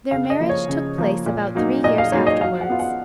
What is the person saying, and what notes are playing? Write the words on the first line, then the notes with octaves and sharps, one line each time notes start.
Their marriage took place about three years afterwards.
C#3 F5
D#5
F3 A#3
C#5
C#3
F3 A#3
A#2
F#3 A#3 D#4
A#2 D#5
F5
F#3 A#3 D#4 C#5
D#5
F#3 F5
F#5
B3 F4
F#5